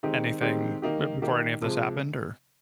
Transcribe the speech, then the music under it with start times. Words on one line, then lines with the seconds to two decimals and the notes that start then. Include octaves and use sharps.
anything b before any of this happened or
0.03 D#3 G#3 C4 D#4 G4
0.42 D#3 G#3 C4 D#4 G4
0.82 D#3 A#3 D#4 G4
1.22 D#3 A#3 D#4 G4
1.61 C3 F3 G#3